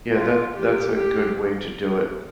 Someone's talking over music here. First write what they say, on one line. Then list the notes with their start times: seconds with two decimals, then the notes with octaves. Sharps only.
Yeah, that that's a good way to do it.
0.15 F4
0.54 G4
0.92 G4